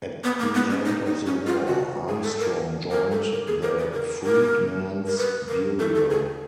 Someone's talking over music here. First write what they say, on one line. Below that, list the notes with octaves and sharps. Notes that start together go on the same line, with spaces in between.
At the end of the war, Armstrong joined the Freedmen's Bureau.
B3
A#3
B3
C#4
D#4
D#4
C#4
F4
F#4
G#4
A4
A#4
A#4
A4
A#4
G#4
A#4
B4
A#4
A#4
A#4
B4
A#4
A4
A4
G#4